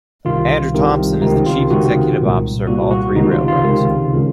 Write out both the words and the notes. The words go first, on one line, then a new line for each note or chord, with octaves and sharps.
Andrew Thompson is the chief executive officer of all three railroads.
C2 C3 D#3 F4
C2 C3 D#3
C#2 C3 D#3 D#4
F4
C#2 C3 D#3 F#4
C2 A#2
C2 A#2 F#4
F#4
C#2 C3 D#3 D#4
F4
F4
C#2 C3 D#3
C#3